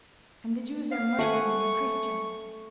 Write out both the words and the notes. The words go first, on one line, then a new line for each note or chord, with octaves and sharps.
'And the Jews are murdering the Christians.'
F5
A3 F#5 G#5 C#6